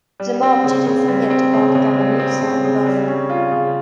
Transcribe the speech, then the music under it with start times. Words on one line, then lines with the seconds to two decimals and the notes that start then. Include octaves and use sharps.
The mob didn't forget about Caramusa and Buffa.
0.20 G3
0.43 C4
0.64 C#3
0.87 C#3
1.08 G3
1.30 C4
1.53 C#3
1.75 C#3
1.97 G3
2.19 C4
2.41 C#3
2.64 C#3
2.86 G3
3.08 C#4
3.29 F4
3.52 C#3